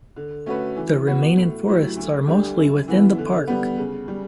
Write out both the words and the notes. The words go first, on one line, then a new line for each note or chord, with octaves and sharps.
The remaining forests are mostly within the park.
D3
A3 C#4 F#4 B4
E3
B3 F#4
A2
F#3 A3 E4 G4
D2
D3 G3 D4 G4
F#2
E3 B3 E4
D3
G3 B3
C#3
G3